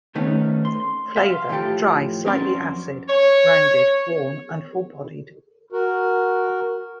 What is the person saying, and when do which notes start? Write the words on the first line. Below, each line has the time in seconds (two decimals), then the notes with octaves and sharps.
Flavour: dry, slightly acid, rounded, warm and full-bodied.
0.15 C3 D#3 A3 B3 C#4 D#4
0.65 C6
1.16 E5 F5 C6
1.49 A2 E3 F3 G4 A4
2.26 F2 F#3 C#4 A#4 D5 C6
3.09 C#5
5.72 F#4 A#4